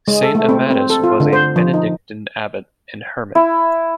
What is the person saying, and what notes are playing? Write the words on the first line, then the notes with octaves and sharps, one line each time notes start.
Saint Amatus was a Benedictine abbot and hermit.
G#3
A4
A3
C4
C4
A4
F4
D3
C5
F3
D#4
E4